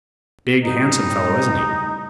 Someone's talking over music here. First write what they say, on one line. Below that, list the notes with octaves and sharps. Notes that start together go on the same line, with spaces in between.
Big, handsome fellow, isn't he?
A2 C#3 G3 D#4